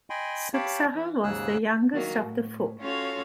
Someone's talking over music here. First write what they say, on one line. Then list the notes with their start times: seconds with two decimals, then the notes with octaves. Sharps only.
Suksaha was the youngest of the four.
0.10 D#5 G5 G#5 B5 C6
0.54 G4 C#5 F5 G5 A5 B5
0.94 E3
1.24 D#2 G#2 C#3 G#4 E6 F#6
1.93 D#3 F#3 A#3 F#4
2.22 A2
2.80 C#4 F4 F#4 A4 C#5 F5